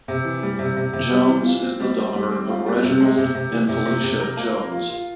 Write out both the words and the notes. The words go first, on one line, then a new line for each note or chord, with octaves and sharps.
Jones is the daughter of Reginald and Felicia Jones.
C3
E3
G3
C3
C3
C3
G3
E3
F4
C4
G3
C4
G3
C4
F4
G3
C3
G#3
C3
C3
E3
C3
C3
C3
A#4
A#3
A#4
F4
F4